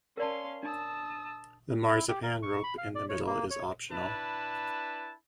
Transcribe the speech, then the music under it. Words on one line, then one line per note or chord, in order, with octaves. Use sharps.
The marzipan rope in the middle is optional.
C#4 A#4 D5 F5 A5 C6
D4 A5 D#6 E6
E4
G4
A#4
C#6
B5
F5
D5
C#5
A#3
C#5
D4 E4 B4 A5